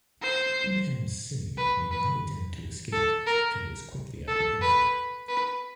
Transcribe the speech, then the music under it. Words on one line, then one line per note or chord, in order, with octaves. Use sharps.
Udham Singh made no attempt to escape and was quickly apprehended.
C5
B4
B4
A4
A#4
A4
B4
B4